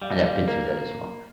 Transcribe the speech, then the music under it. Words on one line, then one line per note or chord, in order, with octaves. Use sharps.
and I've been through that as well,
G3 F5
F5
A#3 A#4